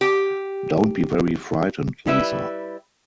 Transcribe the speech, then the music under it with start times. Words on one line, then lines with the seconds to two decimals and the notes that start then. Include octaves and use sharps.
Don’t be very frightened, Lisa.
0.01 G4
2.07 G3 E4 B4 E5